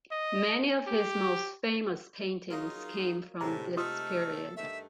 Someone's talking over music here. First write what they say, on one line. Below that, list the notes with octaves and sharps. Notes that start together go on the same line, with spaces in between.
Many of his most famous paintings come from this period.
D#5
G4
F#2 A#3 D#4 F4 G#4 D#5
A2 C3 G3 G#3 A#5
A3 D#4 F4 A4 D#6 F6
G2 D#3 A3 E5